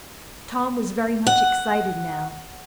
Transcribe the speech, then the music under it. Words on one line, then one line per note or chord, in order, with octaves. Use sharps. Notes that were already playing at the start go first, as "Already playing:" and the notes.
Tom was very much excited now.
F#5